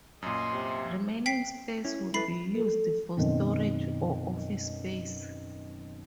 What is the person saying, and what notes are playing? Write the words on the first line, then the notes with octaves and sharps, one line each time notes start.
Remaining space would be used for storage or office space.
F#2 A#2 D#5 C6
C3
G5 B6 C7
C#4 E4
E4 A4 B4 B5 C7
A4
F#2 B2 D#3 C4